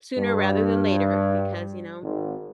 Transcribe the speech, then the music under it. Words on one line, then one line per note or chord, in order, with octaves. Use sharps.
sooner rather than later, because, you know,
G2
G#1